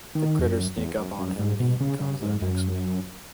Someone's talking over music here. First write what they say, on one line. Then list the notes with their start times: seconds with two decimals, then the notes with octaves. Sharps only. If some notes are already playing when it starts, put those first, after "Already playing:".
The Critters sneak up on him and he becomes their next meal.
0.15 D#3
0.39 E2
0.46 F#2
0.77 E2
0.98 F#2
1.19 F#2
1.39 G#2
1.60 B2
1.81 C#3
2.01 C#3
2.22 G#2
2.42 F#2